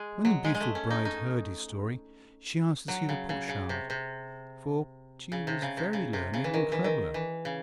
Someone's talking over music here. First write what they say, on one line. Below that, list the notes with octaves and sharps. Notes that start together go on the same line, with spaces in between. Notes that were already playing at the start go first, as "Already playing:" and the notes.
When the beautiful bride heard his story, she asked to see the potsherd, for she was very learned and clever.
Already playing: G#3
F#3
G#3
G#3
A3
C#4
D#4
D#4
F#3
C#3
C#3
C#3
C3
C3
C#3
C3
C#3
C3
C#3
C3
C#3
E3
D#3
E3
D#3
E3
C#3